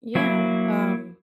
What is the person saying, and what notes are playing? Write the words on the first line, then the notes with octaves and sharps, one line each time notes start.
Yeah, um,
F#3 A#3 E4